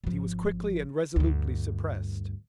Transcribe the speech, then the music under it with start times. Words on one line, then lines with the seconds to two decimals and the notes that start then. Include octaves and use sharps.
But he was quickly and resolutely suppressed.
0.04 G#1 F3
1.16 D2 G2